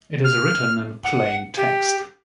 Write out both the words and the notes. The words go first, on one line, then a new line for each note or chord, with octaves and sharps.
It is written in plain text.
F6
F#5
G4